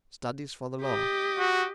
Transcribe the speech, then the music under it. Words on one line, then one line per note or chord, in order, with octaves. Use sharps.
Studies for the law.
G4 D#5
F#4